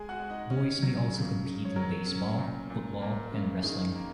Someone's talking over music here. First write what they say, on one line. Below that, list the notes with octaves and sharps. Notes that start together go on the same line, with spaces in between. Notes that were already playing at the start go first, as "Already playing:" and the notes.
Boys may also compete in baseball, football, and wrestling.
Already playing: G#3 G#4 G#5
F#4 F#5
G#3
D#4 D#5
C#4
F#3
C#3
C#3
C#5
F#3 A#4
C#4
A#2
A#2
A#3
C#3
D#3 G#4
A#3